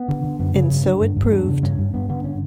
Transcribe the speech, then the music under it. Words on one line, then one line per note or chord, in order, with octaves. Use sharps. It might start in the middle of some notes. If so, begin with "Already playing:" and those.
And so it proved.
Already playing: B3
D3
D3
F#2 B3
C#3 C#4
G2
D3
G2
G2
E2 D4
C#3
G2 C#4
G2
G2 B3
D3 B3
C#4